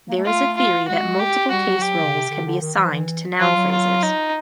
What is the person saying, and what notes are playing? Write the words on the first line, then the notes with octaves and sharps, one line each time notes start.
There is a theory that multiple case roles can be assigned to noun phrases.
A#3
A3
G#3 F4
A3
F4
G#3 F#4
G4
G3 F#4
F#3
G4
C#3
C3
D3
D3
D#3
E3
F3
E3
F3 F4
F#3
F4
D#4